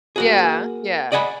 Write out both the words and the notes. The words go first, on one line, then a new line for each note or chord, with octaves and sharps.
Yeah, yeah.
A#3 F#4 G#4
D5 D#5 F#5 G#5 B5